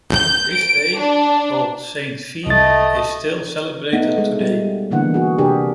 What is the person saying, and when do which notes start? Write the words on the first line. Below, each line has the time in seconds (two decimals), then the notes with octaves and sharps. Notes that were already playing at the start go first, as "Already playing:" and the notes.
This day, called Saint V is still celebrated today.
0.13 G6
0.53 D7
0.97 D4
2.47 C2 A3 D#5 A6
3.93 A3 B3 D#4 F#5
4.18 G#3 A3
4.41 G3
4.91 B2 D3 E3 A#3 F#5
5.14 F#4 G#4
5.38 C3 D4 G4 G#4 A#4